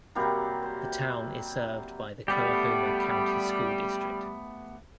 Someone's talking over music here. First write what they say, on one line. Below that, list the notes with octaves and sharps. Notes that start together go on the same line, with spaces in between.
The town is served by the Coahoma County School District.
C3 F#3 G3 A#3
C5
G3 A3 B3 G4